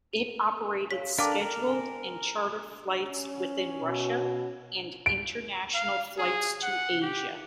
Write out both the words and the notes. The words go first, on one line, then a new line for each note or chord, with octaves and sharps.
It operated scheduled and charter flights within Russia, and international flights to Asia.
D#7
C#5 F5 B6
D4 A4 A#4 F5 G5 A5 D6
A#4
G#5
C#4
B2
D7
F5
G#4
F#5
G4